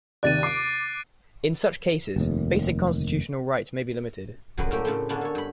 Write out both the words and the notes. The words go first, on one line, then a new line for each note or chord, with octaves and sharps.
In such cases, basic constitutional rights may be limited.
D#2 C3 D5 F#6 A6 D#7
D6 C7 D7
F1 D#2
F#2 F#3 G3 G#4 B4
A2 A3 A#3 G4
A2 C#3 A3 C4
D3 A#3 B3 C#4 D4
A4 C#5
G2 B5